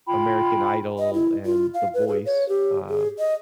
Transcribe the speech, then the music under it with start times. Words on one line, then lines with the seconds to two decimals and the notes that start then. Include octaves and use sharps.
American Idol and The Voice, uh,
0.06 F4 G5 B5
0.99 D#5
1.14 E4
1.45 F4
1.74 F5
1.94 B4
2.08 G#4
2.26 C#5
2.49 G4
2.89 G#4
3.19 D#5